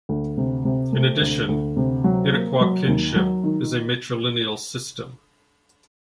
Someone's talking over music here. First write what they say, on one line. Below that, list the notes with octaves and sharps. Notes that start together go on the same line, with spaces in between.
In addition, Iroquois kinship is a matrilineal system.
D2
C3
C3
A3
D2
D2
C3
F#3
A#3
F#3
D#2
F#3
D#3